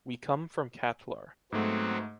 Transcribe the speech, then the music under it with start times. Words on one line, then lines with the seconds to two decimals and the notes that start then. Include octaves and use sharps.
We come from Catllar.
1.52 G#2 F#3 A3 B3 C4